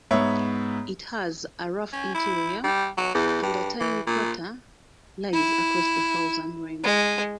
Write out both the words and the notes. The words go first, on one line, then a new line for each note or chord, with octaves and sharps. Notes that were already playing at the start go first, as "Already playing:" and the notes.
It has a rough interior and a tiny crater lies across the southern rim.
G#2 B3 C#5 E5
C#4
E4
G3
F#3
E2
G2
E3
A#2
E4
G#3